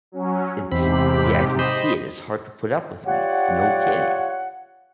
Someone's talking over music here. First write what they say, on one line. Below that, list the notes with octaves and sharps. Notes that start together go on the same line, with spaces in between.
it's I mean, I can see it, it's hard to put up with me. No kidding.
F#3 C#4
E2 G#2 C3 C4 G4 B5
C5 D#5 B5
F4 G4 C#5 D5 F#5